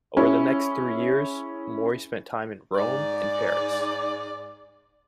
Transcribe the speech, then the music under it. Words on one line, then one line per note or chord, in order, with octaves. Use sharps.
Over the next three years, Mori spent time in Rome and Paris.
C#4 E4 G#4
G#2 D5